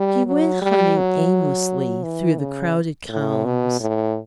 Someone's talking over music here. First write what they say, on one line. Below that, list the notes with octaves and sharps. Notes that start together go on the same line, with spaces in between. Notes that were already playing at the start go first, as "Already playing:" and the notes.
She went hunting aimlessly through the crowded columns.
Already playing: G3
F#3
G3
F#3
E3
C#3
A2
B2
A2